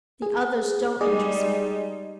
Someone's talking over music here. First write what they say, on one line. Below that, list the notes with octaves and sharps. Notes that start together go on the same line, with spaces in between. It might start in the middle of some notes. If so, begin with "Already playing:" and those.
"The others don't interest me."
G#4
G3 G#3 D#4 G#4 D5 D#5